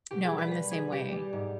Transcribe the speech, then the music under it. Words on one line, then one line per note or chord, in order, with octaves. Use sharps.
No, I'm the same way.
B2 G4
G#4
G3
B4
G3 B4
G3 G#4
G3 G4
G3
G#2